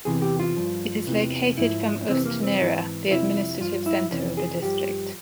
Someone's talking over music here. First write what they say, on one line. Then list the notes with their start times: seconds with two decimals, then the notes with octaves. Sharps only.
It is located from Ust-Nera, the administrative center of the district.
0.05 E2 C3 E3 G#4
0.22 G4
0.39 F4
0.57 G2 F3
1.07 E2 C3 E3
1.58 G#2 F3 E4
2.08 F2 C3 E3 C4
2.26 A#3
2.43 C4
2.59 G#2 E3
3.11 F2 C3 F3 E4
3.60 G2 F3 F4
3.86 E4
4.11 F2 C3 E3 C#4
4.37 G#4
4.62 G2 F3 G4